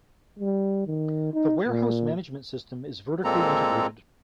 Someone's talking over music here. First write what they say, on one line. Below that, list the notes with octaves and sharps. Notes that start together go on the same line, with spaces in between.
The warehouse management system is vertically integrated.
G3
D#3
D#4
A#2
A#2 G#3 A#3 C4 A4 A#5